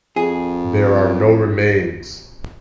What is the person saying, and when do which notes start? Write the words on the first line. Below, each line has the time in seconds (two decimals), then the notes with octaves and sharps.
There are no remains.
0.16 F2 G#4